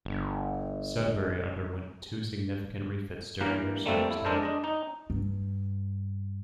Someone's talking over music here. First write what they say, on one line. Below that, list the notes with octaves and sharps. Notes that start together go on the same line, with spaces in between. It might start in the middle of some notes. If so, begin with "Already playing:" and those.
"Sudbury" underwent two significant refits during her service time.
G1
G2 E3 A#3 A#4
G3 A3 A#3 C4 A4
E4
G#3 D4 A4 A#4 C5
D4 D#5
D#4
G2